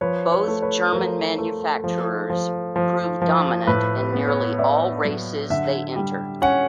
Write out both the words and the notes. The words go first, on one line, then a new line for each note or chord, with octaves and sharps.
Both German manufacturers proved dominant in nearly all races they entered.
F3 B4 C#5
B4 C#5
A3
B4 C#5
F3 A#4 C5
A3
F3
F3
F3
F3
A2 B4
B4
B3
B4 C#5
B3 D5 E5
F#3
D3 E5 F#5
G3
C#4 F#5 G#5